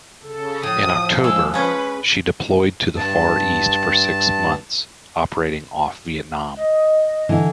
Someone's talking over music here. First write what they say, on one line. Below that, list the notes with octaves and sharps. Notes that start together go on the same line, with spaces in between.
In October she deployed to the Far East for six months, operating off Vietnam.
C#3 A4
A2 F3 D#6
G#3 E6
G#3 C#4 B4
G2 A5
D#5
D3 E3